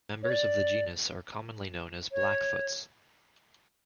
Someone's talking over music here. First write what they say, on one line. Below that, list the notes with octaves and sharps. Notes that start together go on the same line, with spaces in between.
Members of the genus are commonly known as blackfoots.
C#5
D5
C#5